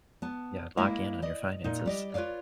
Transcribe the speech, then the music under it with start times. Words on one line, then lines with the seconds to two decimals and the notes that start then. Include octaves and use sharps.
Yeah, lock in on your finances.
0.22 B3 A5
0.77 G#3 A#3 E4
1.22 D5 D#5
1.64 A#2 D#4
1.86 G3 D5 D#5
2.14 F4 B4 C#5 D5 F5